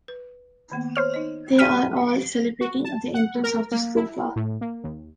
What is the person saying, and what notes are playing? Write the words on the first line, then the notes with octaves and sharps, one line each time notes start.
They are all celebrating at the entrance of the stupa.
B4
D#3 A#3 B3
C5 C#5 F6
D#4 D#5
G4 D5 F5 F6 B6 D#7
F#4
A5
F#5
A#4
A#3
E4
A2
A#3
D#2